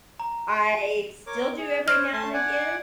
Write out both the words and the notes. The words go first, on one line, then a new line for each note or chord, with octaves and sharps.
I still do every now and again,
A#5
A#4 C#5 D6
G#4
C5 C#5 F6
A3 A5 C6
D5 F#5 G#5